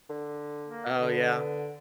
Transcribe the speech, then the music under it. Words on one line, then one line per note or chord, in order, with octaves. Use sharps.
Oh yeah.
D3
A#3
D3 B3